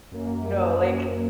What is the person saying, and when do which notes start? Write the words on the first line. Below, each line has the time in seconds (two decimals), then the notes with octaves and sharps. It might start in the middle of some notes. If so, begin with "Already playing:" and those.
No, like
0.12 F#2 A#3